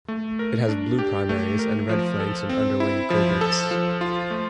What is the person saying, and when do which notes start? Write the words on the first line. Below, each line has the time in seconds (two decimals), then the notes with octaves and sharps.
It has blue primaries, and red flanks and underwing coverts.
0.08 A3
0.39 A#4
0.69 D4
0.99 G4
1.29 A3
1.59 A#4
1.89 F3
2.20 A4
2.49 C4
2.80 E4
3.10 F3
3.41 A4
3.71 F3
4.01 F4
4.30 A3